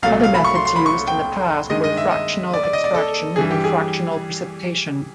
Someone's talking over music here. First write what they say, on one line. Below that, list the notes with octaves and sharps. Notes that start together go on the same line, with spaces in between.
Other methods used in the past were fractional extraction and fractional precipitation.
C2 A#2 F#3 A3 F5
F5
B5
C#6
C6
C6
B5
C#6
G5
G2 D#3 G#3 D#5
D#5
E5
D#5
D5
D5
D#5
D5
A4
G2 E3 G3 G#4
G4
G#4